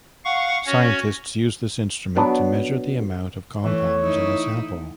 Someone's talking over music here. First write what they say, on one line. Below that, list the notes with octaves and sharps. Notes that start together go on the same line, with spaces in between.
Scientists use this instrument to measure the amount of compounds in a sample.
F5 F#5 C#6
C#4 F#4 C#5
F#3 B3 D4
E3 A3 C#5
D#4 E4